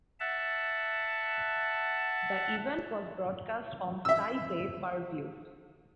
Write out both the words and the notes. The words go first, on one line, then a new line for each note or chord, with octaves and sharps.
The event was broadcast on Sky Pay per view.
E5 F#5 A5
E5 E6